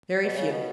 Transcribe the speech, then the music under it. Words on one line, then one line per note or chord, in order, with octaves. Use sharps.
"Very few."
B2
C#3
B2